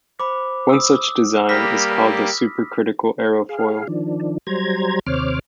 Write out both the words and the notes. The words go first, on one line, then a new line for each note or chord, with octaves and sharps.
One such design is called the supercritical aerofoil.
C5 B5 D6
D#6 E6
G3 A#3 G4 B5 F6 A#6 B6
G#4 F5
D#3 F3 D4
F#3 G3 C5 A#5 G#6
D#2 C3 C5 C#5 D6 F6